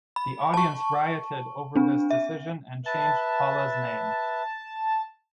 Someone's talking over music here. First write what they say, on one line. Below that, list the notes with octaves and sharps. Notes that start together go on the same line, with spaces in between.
The audience rioted over this decision and changed Paula's name.
B5
A5 C#6
C4 D4
E5
B4 E5 A5